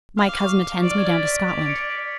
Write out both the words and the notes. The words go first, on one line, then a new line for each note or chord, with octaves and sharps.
"My cousin attends me down to Scotland."
F5 F6
D6
C#6
D5 D6
F6
G#6
A6
B6
D5 F7
D7
C#7
B6